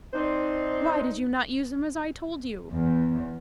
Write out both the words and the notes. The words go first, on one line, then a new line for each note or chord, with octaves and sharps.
Why did you not use them as I told you?
C4 D4 D#4 C5
E2